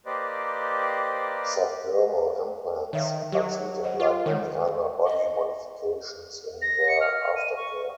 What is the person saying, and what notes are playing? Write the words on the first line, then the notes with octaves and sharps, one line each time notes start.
Subdermal implants are treated like many other body modifications in their aftercare.
A#3 G4 B4 C5 D5 D#5
D#3 C#5 E5 F5
F#3 G4
C5 D#5 F#5
F4
D#3 G#3 C#5 F#5
D#5
A#6
C#7
F6
D#7
C#6